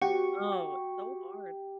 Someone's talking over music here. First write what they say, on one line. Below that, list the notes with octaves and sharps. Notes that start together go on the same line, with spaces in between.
Oh, so hard.
F#4 G4 C#6